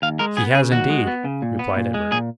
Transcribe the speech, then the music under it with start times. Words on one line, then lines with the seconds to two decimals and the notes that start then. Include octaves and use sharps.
"He has, indeed," replied Edward.
0.02 D#2 F5
0.19 G#3 A#4
0.37 B3 G#4
0.54 C#3 G#4
0.72 D#2 F#4
0.90 G#3
1.07 B3
1.25 C#3
1.42 A#2
1.59 B3
1.77 A#2
1.94 G#3
2.11 A#2 G#4